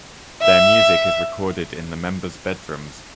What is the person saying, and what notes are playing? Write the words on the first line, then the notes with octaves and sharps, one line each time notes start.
Their music is recorded in the members' bedrooms.
E5